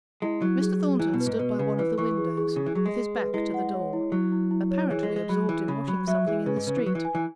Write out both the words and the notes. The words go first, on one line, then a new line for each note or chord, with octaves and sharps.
Mr. Thornton stood by one of the windows, with his back to the door, apparently absorbed in watching something in the street.
G#3 E4
F#3 E4
G#4
G#4
E3 E4
B2
B4
G#2
B2 B4
C#3 B4
E3 B4
E3 C#6
G#4
G#4
C#3 G#4
E3
F#3 G#4
G#3
G#4
B4
G#3 E4
F#5
C#5
E4
F#3 E4
E4
E4
C#5
E3 G#4
G#3
G#4
G#3
F#3 B5
E3 G#4
C#3 B5
F#3 B5
F#3 E5
E3 G#4
C#3 B4
G#2
C#3 B4
E3
F#3 B4
E3
G#5
E3